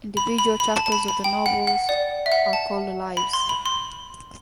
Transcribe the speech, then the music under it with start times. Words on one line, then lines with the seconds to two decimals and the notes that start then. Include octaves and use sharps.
Individual chapters of the novels are called "Lives".
0.17 B5
0.38 B5
0.60 B5
0.76 A5
0.86 A5
0.92 B5
1.08 B5
1.24 G5
1.46 F#5
1.67 F#5
1.89 D5
2.26 E5
2.32 F#5
2.53 A5
3.17 B5
3.33 C6
3.49 B5
3.66 C6